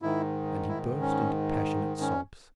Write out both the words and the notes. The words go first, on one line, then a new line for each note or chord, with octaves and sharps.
And he burst into passionate sobs.
G#2 D#3 E4
E4
C#4
C#4